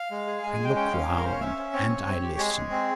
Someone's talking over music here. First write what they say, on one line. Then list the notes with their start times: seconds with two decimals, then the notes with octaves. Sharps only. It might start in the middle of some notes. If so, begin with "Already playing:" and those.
I look round and I listen.
Already playing: F5
0.11 G#3
0.27 G#4
0.43 G#3 G#5
0.54 G#5
0.60 G#3 G5
0.75 C#4 G5
0.92 C#4 F5
1.08 C#4
1.18 A#4
1.24 C#4 C5
1.32 C#5
1.40 C#4 E5
1.57 C#4
1.73 C4 C#5
1.89 C4
2.06 C4
2.23 G4
2.38 G#3 G#4
2.54 G#3
2.71 C4